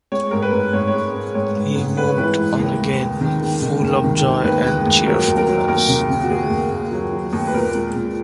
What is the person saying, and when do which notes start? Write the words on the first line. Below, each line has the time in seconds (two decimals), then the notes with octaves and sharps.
He moved on again, full of joy and cheerfulness.
0.12 G#3 C#5
0.31 G#2 A#4
0.42 B4
0.53 G#2
0.73 G#2 C#5
0.88 C#5
0.94 G#3
1.14 G#3
1.35 G#2 C#5
1.55 G#2
1.76 G#2
1.97 G#3 B4
2.08 C#5
2.18 E3 B4
2.38 G#2
2.59 D#2
2.80 G#3
3.00 G#3
3.21 D#3
3.42 G#3
3.62 D#3
3.82 D#2
4.04 D#3
4.24 D#3
4.44 D#2 B4
4.66 G#3
4.86 D#2
5.06 F#3 A#4
5.27 D#2
5.37 A#4
5.47 F#3
5.68 D#2 A#4
5.89 C#3
6.10 C#3
6.23 F#4
6.30 D#2 G#4
6.50 D#2
6.71 D#2
6.92 F#3
7.13 F#3
7.33 D#2
7.47 B4
7.54 A#2 A#4
7.75 G#3
7.95 A#2